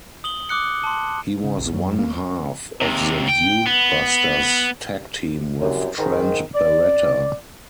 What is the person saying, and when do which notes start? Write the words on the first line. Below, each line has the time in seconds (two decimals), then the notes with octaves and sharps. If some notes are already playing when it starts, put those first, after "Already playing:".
He was one half of the DudeBusters tag team with Trent Barreta.
0.24 D#6 F#7 G7
0.49 D6 D#6 F#6 C#7
0.84 A5 C6
1.44 C#3
1.58 A#1
1.73 F#2
1.99 A#3
2.81 D#2 C3
3.28 G5
3.67 B3
5.60 C2 F#2
5.98 G#2 D#3
6.55 D5